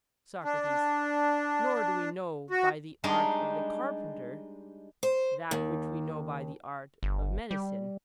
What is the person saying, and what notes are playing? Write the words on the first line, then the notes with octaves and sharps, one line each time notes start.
SOCRATES: Nor do we know by the art of the carpenter that which we know by the art of medicine?
D4
F#4
G3 G#3 D4 D#4
C5
D#2
G1
G3